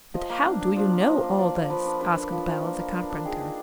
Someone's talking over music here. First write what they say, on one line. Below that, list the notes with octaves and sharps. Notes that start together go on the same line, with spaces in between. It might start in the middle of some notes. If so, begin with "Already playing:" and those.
"But how do you know all this?" asked Bell, the carpenter.
F3 D#5
A#3
D4
D4
F3 D5
A#3
D5
F3 D#5
D4
F3 D5
A#3
F3 B4
D4
D4 B4
D4
F3
F3
A#3
A#3
D4
D4
D#3 G#4
D4